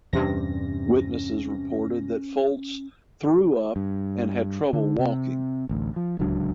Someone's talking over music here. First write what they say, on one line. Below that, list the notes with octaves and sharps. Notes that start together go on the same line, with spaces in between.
Witnesses reported that Foltz threw up and had trouble walking.
E2 G2 C3 G3 C#4 A#6
G2
D3
C3
A1 D2
F3
D1 C#2 F#3 D4